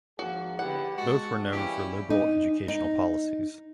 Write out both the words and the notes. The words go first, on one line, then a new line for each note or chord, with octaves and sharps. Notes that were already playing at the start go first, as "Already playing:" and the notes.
Both were known for liberal educational policies.
G#1 F3 A#3 F#4 G#4
D3 B3 E4 G4 F#5
G#3 F#4 A5
E3 G3 A#3 C#4 E4 G4
D#4
D#4